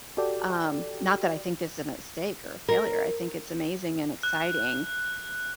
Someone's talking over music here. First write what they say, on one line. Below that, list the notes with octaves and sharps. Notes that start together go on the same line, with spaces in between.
Um, not that I think this a mistake or a failure, I think it's amazing and exciting.
F#4 G4 A4 D5 G5
A#4
F#6